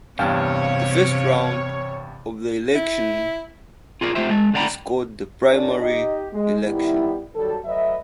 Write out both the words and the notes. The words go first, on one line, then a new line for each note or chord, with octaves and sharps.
The first round of the election is called the primary election.
E2 G2 C3 C#5 F5
E4
F4 G#4 A#4 D5
A3 F4 G4 C5 E5
G#3 A5
D#2 D3 D5 G5 A#5 B5
C#4 D4 F4 G4 A#4 D5
D#4 G4 D#5
G#3
D#3 G3 B3 E4
D#3 F#3 G3 A4
F#3 A3 B4 D#5 E5